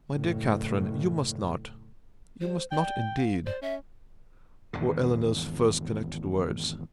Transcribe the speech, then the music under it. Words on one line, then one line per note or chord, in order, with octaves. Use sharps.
"My dear Catherine, you must not--you must not indeed--" were Eleanor's first connected words.
F#1 A2
G3 C5
D5 G5
F5
C5 D5
C#4 E5
G#1 E2 D3